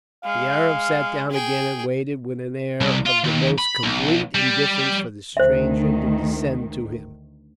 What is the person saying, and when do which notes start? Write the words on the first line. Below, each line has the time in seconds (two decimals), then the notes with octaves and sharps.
The Arab sat down again and waited with an air of the most complete indifference for the stranger to descend to him.
0.24 G#3 F5
1.31 G#4 G5
2.81 C2
3.06 F4
3.24 D#2
3.59 B5
3.84 B1
4.35 G3
5.37 D2 D#3 C5 E5